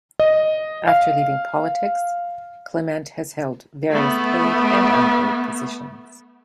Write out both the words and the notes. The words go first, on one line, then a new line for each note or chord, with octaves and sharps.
After leaving politics, Clement has held various paid and unpaid positions.
D#5
F5
A3 B3